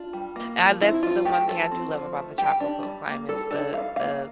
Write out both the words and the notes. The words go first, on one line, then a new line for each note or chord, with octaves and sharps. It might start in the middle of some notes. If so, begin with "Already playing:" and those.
ah, that's the one thing I do love about the tropical climates, the the
Already playing: D4 F4
G3
A#3
F3
C4 E4
F3 F4
A3 G4
F3 A4
C4
F3
A3
G3 G4
D4
G3
A#3
G3 A4
D4 A4
G3 F5
A#3 F5